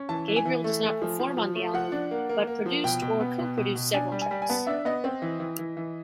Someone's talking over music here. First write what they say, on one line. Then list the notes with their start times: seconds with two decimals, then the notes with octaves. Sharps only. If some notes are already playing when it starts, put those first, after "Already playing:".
Gabriel does not perform on the album, but produced or co-produced several tracks.
Already playing: C#4
0.09 E3 A5
0.28 E3
0.36 G#5
0.45 E3
0.64 A3
0.83 A3
1.02 F3
1.20 F3
1.37 F3
1.55 A3
1.74 F3 F#5
1.92 D4
2.11 A#3
2.29 A#3
2.47 A#3
2.66 F3
2.84 B2 G5
3.02 B2
3.21 B3
3.39 B2
3.57 B2
3.75 B2
3.94 D4 G#5
4.12 G3
4.22 G#5
4.31 G3
4.42 G#5
4.50 B3 A5
4.67 D4 E5
4.85 B3 D#5
5.04 C4
5.22 E3
5.40 E3
5.59 E3
5.77 E3